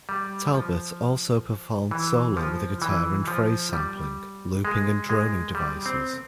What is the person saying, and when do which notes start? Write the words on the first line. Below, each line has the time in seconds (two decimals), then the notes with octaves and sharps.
Talbot also performed solo with a guitar and phrase-sampling, looping and droning devices.
0.09 G3
0.54 F3
1.91 E3
2.37 F3
2.82 E3
3.28 F3
3.73 G3
4.65 G#3
5.10 G#3
5.55 G3
5.86 C4